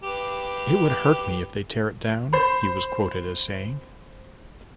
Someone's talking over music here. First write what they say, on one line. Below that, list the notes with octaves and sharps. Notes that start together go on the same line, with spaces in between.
"It would hurt me if they tear it down", he was quoted as saying.
G4 B4 D6
C5 B5